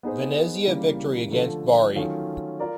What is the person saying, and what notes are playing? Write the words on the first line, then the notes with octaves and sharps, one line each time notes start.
Venezia victory against Bari.
B3 D#4 G#4 C5
C#3 E3 G3 A#3
D3 F3 A3
D#3 F#3 A3 C#4 F4
F4 A#4 D5